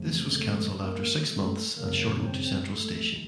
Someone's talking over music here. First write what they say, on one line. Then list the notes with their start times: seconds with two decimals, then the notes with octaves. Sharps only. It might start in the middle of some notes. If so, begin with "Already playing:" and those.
This was canceled after six months and shortened to Central Station.
Already playing: F2 C#3 F3 A3
0.32 A3 A4
0.80 A#3 A#4
1.28 A3 A4
1.76 F#2 C#3 F#3 A#3 A#4
2.25 C4 C5
2.72 A3 A4